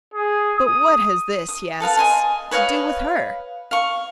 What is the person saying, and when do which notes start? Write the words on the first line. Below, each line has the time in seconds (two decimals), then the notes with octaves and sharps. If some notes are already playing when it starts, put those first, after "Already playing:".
"But what has this," he asks, "to do with her?"
0.14 G#4
0.58 D#6
1.48 D#6
1.80 A4 B4 F5 A5
1.97 D#5 G#5 C6
2.51 B4 C#5 D#5 F5
3.71 F5 C#6